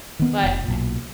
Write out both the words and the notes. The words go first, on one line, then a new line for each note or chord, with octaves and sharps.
but I
D#3 B3
F1
B1 A#2